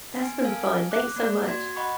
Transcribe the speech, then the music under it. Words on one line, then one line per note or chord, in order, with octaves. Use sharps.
that's been fun, thanks so much.
B3 G#5
A4 A#4 F5 G#5
D6 F#6
A#3 D5
F#4 C6 G#6
D#5 F#5 B5 C#6